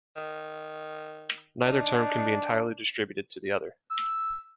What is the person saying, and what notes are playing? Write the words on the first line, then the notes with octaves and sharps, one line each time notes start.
Neither term can be entirely distributed to the other.
D#3
D4 D#4
E6